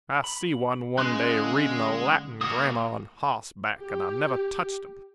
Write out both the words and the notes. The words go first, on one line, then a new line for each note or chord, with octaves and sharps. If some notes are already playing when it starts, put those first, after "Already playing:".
I see one, one day, reading a Latin grammar on hossback, and I never touched him!
B5
G#3 C#4 B4 C6 F#6
D3 F5 F#6
A#3 F#4 D6 D#6
G4